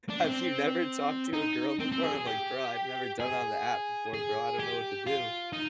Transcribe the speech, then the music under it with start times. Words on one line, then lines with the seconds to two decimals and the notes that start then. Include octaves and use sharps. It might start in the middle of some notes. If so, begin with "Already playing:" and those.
have you never talked to a girl before?" I'm like, "Bro, I've never done it on the app before, bro. I don't know what to do."
0.09 D4
0.25 C4
1.33 D#4
1.80 C4
1.92 C4
2.03 G#4
2.15 G#4
2.27 G4
3.20 G#4
4.14 G#4
4.60 G4
5.07 F4
5.53 D#4